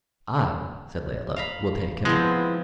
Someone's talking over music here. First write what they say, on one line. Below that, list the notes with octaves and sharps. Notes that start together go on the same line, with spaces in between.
"I," said Layelah, "will take him."
F5 A#5 B5
F3 G#3 B3 C4 E4